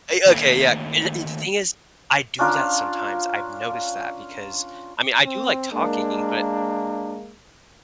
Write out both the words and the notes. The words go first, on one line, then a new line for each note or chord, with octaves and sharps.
a okay, yeah, a and the thing is, I do that sometimes, I've noticed that because, I mean, I do like talking, but,
D#3 A3 A#3 D4 A4 C#5
C#4 D4 F4 A#4
C4
G#3 A#3 D4